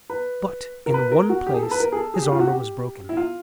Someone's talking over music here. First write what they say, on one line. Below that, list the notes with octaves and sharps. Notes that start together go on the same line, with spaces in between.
But in one place his armor was broken.
B4
A#4
B4
A#4
F#4
G4
G#4
A4
B4
A#4
G#4
A4
G#4
G4
F4
F#4
G4
E4
F4